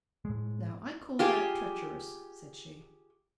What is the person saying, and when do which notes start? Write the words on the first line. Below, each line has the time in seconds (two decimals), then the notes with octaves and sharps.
'Now, I call that treacherous,' said she.
0.25 A2 G#3
1.19 F4 G4 G#4